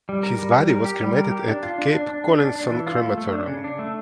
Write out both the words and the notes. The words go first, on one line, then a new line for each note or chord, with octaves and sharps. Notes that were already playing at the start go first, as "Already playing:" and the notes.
His body was cremated at Cape Collinson Crematorium.
G3
A#4
G3
G3
A#4
G4
G3
A#4
G4
D4
F4
D4
D4
D4
D4
D4
D4
E3
F4
A3
A3
D4
C#3
D4
A3